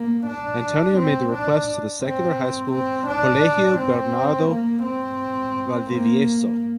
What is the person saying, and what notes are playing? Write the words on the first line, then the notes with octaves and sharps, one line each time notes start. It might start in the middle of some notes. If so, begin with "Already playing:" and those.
Antonio made the request to the secular high school Colegio Bernardo Valdivieso.
Already playing: A#3
D4
C4
D4
C4
C4
D4
C4
A#3
C4
A#3